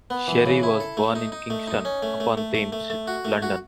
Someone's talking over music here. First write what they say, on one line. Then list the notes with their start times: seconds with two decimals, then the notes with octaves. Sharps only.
Sherry was born in Kingston upon Thames, London.
0.10 B3
0.28 E3
0.46 C#3
0.63 E4
0.80 A4
0.97 A3
1.15 D#4
1.32 D#4
1.50 A3
1.67 D#4
1.85 C#4
2.02 A3
2.20 A3
2.37 A3
2.54 A3
2.72 A3
2.90 A3
3.07 F#4
3.25 A3
3.42 F#4